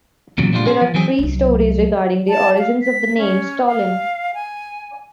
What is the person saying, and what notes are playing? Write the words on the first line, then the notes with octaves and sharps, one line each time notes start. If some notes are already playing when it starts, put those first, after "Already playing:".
There are three stories regarding the origins of the name "Stolin".
E2 A#2 C#3 F#3
A#2 F3 G3 D4 F4
C#4 G#4 C5
F3
E3 F#3 C4 G#4
C2 F#3
A5
F5
B6
C#4
F5
G#5